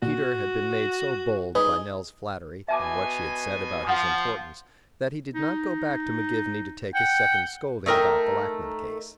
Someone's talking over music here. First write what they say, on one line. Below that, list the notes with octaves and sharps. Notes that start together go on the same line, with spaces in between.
Peter had been made so bold by Nell's flattery and what she had said about his importance, that he did not go back to McGivney to take his second scolding about the Lackman case.
A#2 F#4
D#4 G#4 B4
B2 E5 G#5 A5 D6
F3 F#5 D#6
D#4
F#5 G5
A3 D#4 A#4 G5